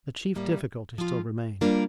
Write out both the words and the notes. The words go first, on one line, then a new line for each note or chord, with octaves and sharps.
The chief difficulty still remained.
A2 G3 A#3
F3 C4 F4
G3 A#3 D4 F4 A#4